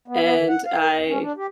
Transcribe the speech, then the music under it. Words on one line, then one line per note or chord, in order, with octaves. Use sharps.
And I
B3
B3
D#3
F#5
F5
A#4
E2
C#4
D4
G4